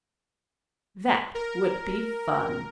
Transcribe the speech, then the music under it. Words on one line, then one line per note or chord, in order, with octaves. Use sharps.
That would be fun!
A#4